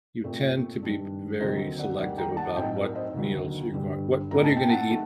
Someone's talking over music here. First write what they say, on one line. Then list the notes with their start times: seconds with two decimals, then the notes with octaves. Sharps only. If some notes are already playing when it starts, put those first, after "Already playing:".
you tend to be very selective about what meals you're goin what what you're gonna eat
0.24 A#2 A3 C4
0.83 G2 D#3 G3 D4
1.40 D#2 D3 F#3 C4 D#4 A4 C5
1.79 D5 F#5
1.98 D#2 D#3 G3 D5 F#5
2.18 G5 A#5
2.37 F#5 A5
2.56 A2 F#3 C4 D#4 D#5 G5
2.76 A#4 D5
2.95 C5 D#5
3.16 D#2 D3 F#3
3.73 G2 D3 G3
4.31 A2 A3 C4 D#4 A#5
4.44 A5
4.57 G5
4.68 F#5 A5
4.90 D#3 A3